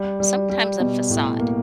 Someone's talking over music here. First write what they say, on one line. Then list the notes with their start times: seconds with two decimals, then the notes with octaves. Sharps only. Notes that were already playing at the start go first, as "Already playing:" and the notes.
sometimes a facade,
Already playing: G3
0.20 G3
0.50 G3
0.80 B2
1.10 A2
1.39 A#3